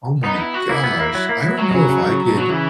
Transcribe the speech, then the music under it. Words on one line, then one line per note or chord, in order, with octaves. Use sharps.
Oh my gosh. I don't know if I could,
B3 D#4
D#4
E4
F#4
A#3 E4
B3
A#3
F#3
A#3
F#3
F#3
B2
C#3
C#3
C#3
B2
F#3
C#3 E3